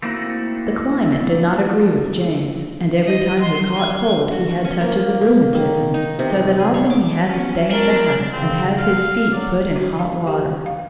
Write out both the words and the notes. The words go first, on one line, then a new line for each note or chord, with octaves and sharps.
The climate did not agree with James, and every time he caught cold he had touches of rheumatism, so that often he had to stay in the house and have his feet put in hot water.
A3 A#3 C4 D#4 E4 F#4
D#5
C6
G#6
F#4
C#4
A#3
A#3
D#3
D#4
C3
G#4
C#5
D6
F#3 B3 C#4 C#5
D4 A#4
C#3 C4
F5
F5
F#3 D5
F#4
F5
G4
F5